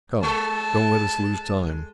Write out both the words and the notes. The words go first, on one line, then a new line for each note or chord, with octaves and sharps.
Come, don't let us lose time.
G#3 A4 A5